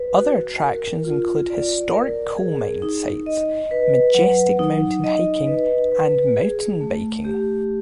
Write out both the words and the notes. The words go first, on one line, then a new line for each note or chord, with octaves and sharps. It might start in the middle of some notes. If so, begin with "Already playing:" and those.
Other attractions include historic coal mine sites, majestic mountain hiking and mountain biking.
Already playing: B4
F#4
A#4
F4
D5
A#4
G#4
D#4
D#5
B4
F#3
D#4
D#5
B4
B4
G#4
A3
G4